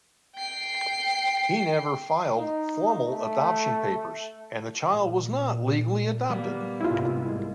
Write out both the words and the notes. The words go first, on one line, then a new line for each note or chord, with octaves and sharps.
He never filed formal adoption papers and the child was not legally adopted.
G5 C7
D#4
A3
A#2
G3 A#3 B3
C2 G#2 G#3 E4 F4